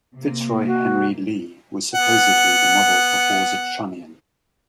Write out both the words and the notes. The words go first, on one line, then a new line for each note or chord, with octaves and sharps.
Fitzroy Henry Lee was supposedly the model for Hawser Trunnion.
C3 A#3
F#4
B3 F#5